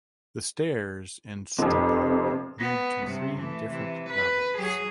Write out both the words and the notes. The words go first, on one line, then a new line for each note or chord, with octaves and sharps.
The stairs in stupa lead to three different levels.
F1 F2 C3
B3
G2 C3
E3 A3
C3 E3
B4
F#3 G#4